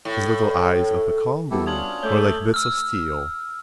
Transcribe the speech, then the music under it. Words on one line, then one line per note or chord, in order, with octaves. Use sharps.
His little eyes, of a calm blue, were like bits of steel.
A2
G3 B3 E4 F#4 G4 A4
C#4 D4 F4 D#6 G#6 F#7
A3 C#5 E5 D6 G6 G7
E6 F6